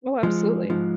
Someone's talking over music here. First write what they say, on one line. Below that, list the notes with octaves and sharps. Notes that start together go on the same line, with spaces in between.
Oh, absolutely.
F3 G#3
G#2 F3